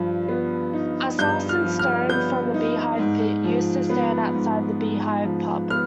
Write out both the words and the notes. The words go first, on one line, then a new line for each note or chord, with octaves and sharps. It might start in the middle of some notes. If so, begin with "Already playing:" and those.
A Sarsen stone from the Beehive Pit used to stand outside The Beehive pub.
Already playing: G2 F3
B3
D#4
G2 G6
F6
F3
F6
B3 G6
D#4
G#2
F3
B3
G#2
G#2
F3
B3 F6